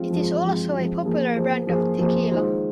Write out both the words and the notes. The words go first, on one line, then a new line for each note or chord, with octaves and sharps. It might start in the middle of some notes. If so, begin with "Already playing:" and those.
It is also a popular brand of tequila.
Already playing: F3 G#3 C4 F4
F3 G#3 C4 F4
F3 G#3 C4 F4
F3 G#3 C4 F4
F3 A#3 G#4 C5
F3 A#3 G#4 C5
F3 A#3 G#4 C5
F3 A#3 G#4 C5
D#3 G#3 F4 C5